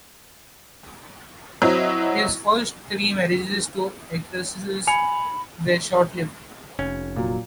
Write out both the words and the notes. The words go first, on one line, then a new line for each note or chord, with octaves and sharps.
His first three marriages to actresses were short-lived.
F#3 C4 E4 D#5
G#5 B5 C#7 F7
F1 C#4
A#2 F#3